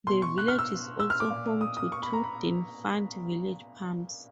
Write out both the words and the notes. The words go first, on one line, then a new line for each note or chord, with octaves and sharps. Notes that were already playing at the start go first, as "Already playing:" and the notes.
The village is also home to two defunct village pumps.
B2 C6
C#6
F#6
F6
E6
E6
F6
D6
A#2
D#6
D#6
C#6
B5
A#5
B5